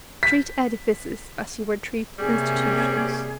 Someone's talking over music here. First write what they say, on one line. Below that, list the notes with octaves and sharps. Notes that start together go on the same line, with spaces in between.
Treat edifices as you would treat institutions.
B6
C3 G3 A#3 C#4 G#4